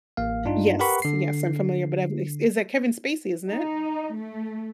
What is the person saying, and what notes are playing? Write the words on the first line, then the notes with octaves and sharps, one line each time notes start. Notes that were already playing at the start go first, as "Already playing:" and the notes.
Yes, yes I'm familiar, but I've is is that Kevin Spacey, isn't it?
A1 A#3 F5
G2 D4 D#4 F4
G4 A#4 B4 F#5 B5 C#6
D3 C7
D#4
A3